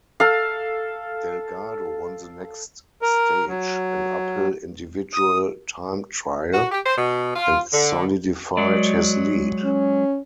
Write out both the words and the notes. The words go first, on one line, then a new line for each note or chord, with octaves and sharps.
Delgado won the next stage, an uphill individual time trial, and solidified his lead.
A4 F5
A#4
F#3
D#6
F#4
G4
C5
B2
F4
D3
F#3 G#3 D5
C#4